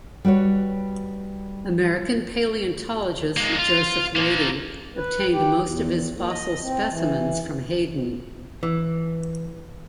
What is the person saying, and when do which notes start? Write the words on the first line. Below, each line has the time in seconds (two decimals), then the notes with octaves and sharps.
American paleontologist Joseph Leidy obtained most of his fossil specimens from Hayden.
0.25 G3 F#4 B4 C#5
3.37 G#3 A#3
3.59 F4
4.16 F3 A#3
4.96 B4
5.31 G4
5.64 E2
6.16 A#3
6.28 D#5
6.62 C4
6.89 E3
8.63 E3